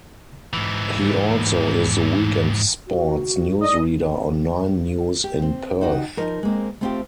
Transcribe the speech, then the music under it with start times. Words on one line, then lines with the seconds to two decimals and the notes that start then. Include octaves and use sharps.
He also is the weekend sports newsreader on Nine News in Perth.
0.53 G#2 E3
2.85 F#4
3.62 D5 D#5
5.24 G4
5.42 C4
5.81 D#4 F#4 G4
6.17 F3 D#4 A#4
6.43 G#3 A#3 C4
6.81 A3 B3 C4 D#4 F4 G4